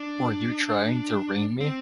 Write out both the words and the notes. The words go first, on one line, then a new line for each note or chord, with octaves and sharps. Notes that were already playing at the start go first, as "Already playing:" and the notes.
Were you trying to ring me?
Already playing: D4
C4